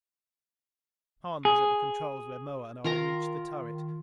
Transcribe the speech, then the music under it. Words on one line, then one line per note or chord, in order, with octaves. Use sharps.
Hahn was at the controls when Moa and I reached the turret.
G#4
D#3 F4 A#4 A#5